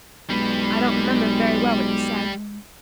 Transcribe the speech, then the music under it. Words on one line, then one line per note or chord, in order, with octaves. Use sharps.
I don't remember very well what you said.
B1 G3 G#3 B4